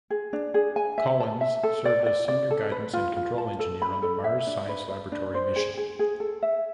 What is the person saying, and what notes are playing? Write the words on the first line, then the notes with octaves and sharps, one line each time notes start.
Collins served as senior guidance and control engineer on the Mars Science Laboratory mission.
G#4
D4
G#4
G#5
E5
A5
E5
A4
D5
D5
D5
A4
B4
F4
F4
A5
A4
B5
A4
E5
D4
B4
B4
D4
C5
G#4
G#4
G#4
A4
E5